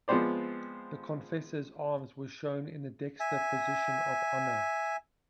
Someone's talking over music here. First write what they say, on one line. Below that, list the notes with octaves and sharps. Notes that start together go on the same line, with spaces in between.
The Confessor's arms were shown in the dexter position of honour.
F3 G#3 B3 C4 C5 D5
E5 G#5